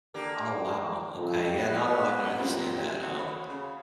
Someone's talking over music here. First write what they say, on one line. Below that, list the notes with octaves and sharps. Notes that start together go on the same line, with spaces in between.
Oh, wow. Okay, yeah. No, no, I can understand that, um,
D3 A#3 G4
F2
B3
A#2 C4 G4 C5
F#4
C5 C#5 B5
C#3